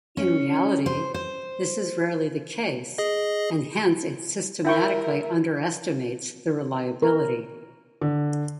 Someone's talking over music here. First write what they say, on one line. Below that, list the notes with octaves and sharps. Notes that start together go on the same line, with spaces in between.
In reality this is rarely the case, and hence it systematically underestimates the reliability.
C#4
C5
C5
G#4 D#5
E4 A#4 E5 G5 C#6
A#4
D3